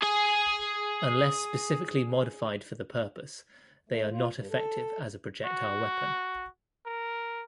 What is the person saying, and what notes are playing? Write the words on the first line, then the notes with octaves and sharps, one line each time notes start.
Unless specifically modified for the purpose, they are not effective as a projectile weapon.
G#4 G#5
A3
F4
G2
A4
F#4
A#4